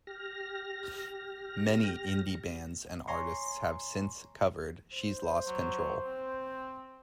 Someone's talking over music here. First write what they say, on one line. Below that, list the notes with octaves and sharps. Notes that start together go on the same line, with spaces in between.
Many indie bands and artists have since covered "She's Lost Control".
G4 F6 A#6
C#5 G#5 A#5 C6 C#6
C5
F#3
C4